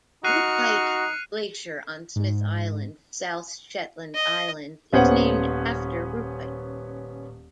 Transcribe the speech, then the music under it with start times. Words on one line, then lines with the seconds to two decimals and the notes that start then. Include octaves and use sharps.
Rupite Glacier on Smith Island, South Shetland Islands is named after Rupite.
0.24 D#4 F#4 F6 F#6 C7 C#7 D#7
2.16 G#2
4.14 D#5
4.93 D#1 B3 C#4 C5 C#5 F#5